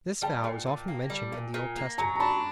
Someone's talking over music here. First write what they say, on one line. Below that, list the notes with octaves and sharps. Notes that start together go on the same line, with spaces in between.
This vow is often mentioned in the Old Testament.
G3 G5 A5
A#2
A#2
A#3
G3
A#2
A#2
A#3
F#3 G#5 A#5
A#5
D4 A5 B5